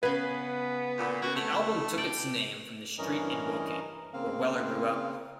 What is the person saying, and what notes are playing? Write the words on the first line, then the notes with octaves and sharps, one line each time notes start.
The album took its name from the street in Woking where Weller grew up.
C#3 B3 G#4 B4
D2 A#2
A#3 C#4 F#4
A3
D5 G5 A5
G2 E3 C#4 A#4 D#5
C#3 A#3 C4 F5